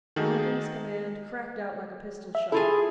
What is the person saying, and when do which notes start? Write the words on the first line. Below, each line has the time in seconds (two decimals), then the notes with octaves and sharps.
Thornton's command cracked out like a pistol-shot.
0.16 D#3 A3 D#4 F#4 G#4
2.35 E5
2.52 E4 F4 G#4 A4